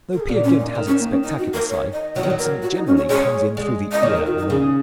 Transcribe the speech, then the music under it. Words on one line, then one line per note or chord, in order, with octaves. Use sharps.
Though Peer Gynt has its spectacular side, Ibsen generally comes in through the ear alone.
A#4
G#4
A#2 F#4
C#4
D#4
D#3
C#4
A#3
C#4
D#4
F#4
A#4
C#5
D#5
F#3 C#5
D#3
F#3
A#4
F#4
D#4
C#4
C#5
G#3 C#5
G#3
D#5
D#3 C#5
A#4
F#4
D#4
C#3 G#4